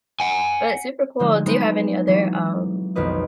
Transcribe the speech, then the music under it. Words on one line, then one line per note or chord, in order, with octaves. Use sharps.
but super cool. Do you have any other, um,
F#5 G#5
D3 F3 G#3 D#4
F#3 G#3 B3 C4 D#4
E3 F#3
B1 F2 D#3 B4 D#5